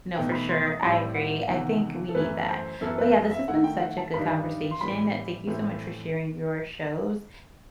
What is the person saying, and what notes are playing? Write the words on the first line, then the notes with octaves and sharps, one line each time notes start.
No, for sure, I agree, I think we need that, but yeah, this has been such a good conversation, thank you so much for sharing your shows
E2 B2 A3 D#4 G5
B5
C6
D#6
A2 G3 C4 E4 B5
F#5
E2 C3 D#3 F#5
A4
F#2 E3 A3 E4 B4
C5
F#2 E3 B3 E4 A4
B4
D#5
E5
D#3 A3 E4 F#5
G5
F#5
A5
G2 D#3 G3 D#4 B5
C6
A2 E3 G3 B5
A2 E3 A3 C4